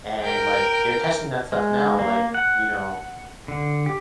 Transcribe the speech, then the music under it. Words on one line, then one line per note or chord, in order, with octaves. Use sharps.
and, like, they're testing that stuff now, like, you know,
A#4 G5
G#3
A#3
F#5
D3
G4